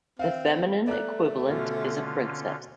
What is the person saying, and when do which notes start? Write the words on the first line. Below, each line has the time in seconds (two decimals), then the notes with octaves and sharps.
The feminine equivalent is a princess.
0.19 C4 E5 F5
0.87 A3 D5 A#5 F#6
1.50 B2 D3 C#4 F4